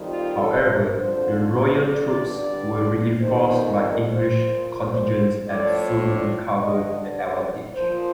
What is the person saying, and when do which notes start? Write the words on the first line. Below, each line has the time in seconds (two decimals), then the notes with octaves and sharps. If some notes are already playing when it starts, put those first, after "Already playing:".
However, the royal troops were reinforced by English contingents and soon recovered the advantage.
Already playing: F2 D#3 G3
0.09 F4
0.37 A4
0.65 A#4
0.94 F2 D3 F3 C5
1.50 D5
1.79 D5
2.07 G2 D3 G3 D5
2.35 D5
3.21 F2 D#3 G3 C5
3.78 A#4
4.06 C5
4.34 A#2 F3
4.91 C5
5.47 A2 F3 D5
6.04 D4
6.60 G2 D3 G3 D#5
7.17 D5
7.74 A#2 F3 C5